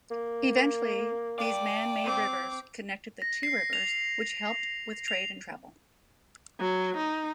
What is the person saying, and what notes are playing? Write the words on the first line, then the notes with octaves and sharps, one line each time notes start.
Eventually these man-made rivers connected the two rivers which helped with trade and travel.
A#3
D5 F5 G5
C4 D6
A#6
C7
F7
F7
F#3
D#4